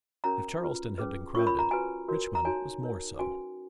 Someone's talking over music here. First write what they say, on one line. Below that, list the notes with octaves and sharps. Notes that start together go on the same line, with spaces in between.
If Charleston had been crowded, Richmond was more so.
C#4 F#4 A#4 C#5 A#5
F4 B4
C#4 G#4 B4
C#4 F4 A#4 C#5 C#6
B5
A#5
F#4 B4 G#5
F#4 A#4 C#5
A#5
D#4 F#4 C#5 G#5
D#4 A#4 C#5
C#4 F#4 B4 G#5